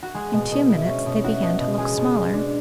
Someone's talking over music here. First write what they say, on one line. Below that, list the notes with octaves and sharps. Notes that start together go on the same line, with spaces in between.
In two minutes they began to look smaller.
F#4
G#3 G#4
B2
B2
E4
C#4
B2
E4 F#4
B2
B2
G#3 G#4
B2
G#3
D4